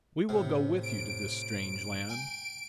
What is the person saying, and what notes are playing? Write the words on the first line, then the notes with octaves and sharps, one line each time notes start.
"We will go with you to this strange land."
A2 C3 C4
D7
G5 G#5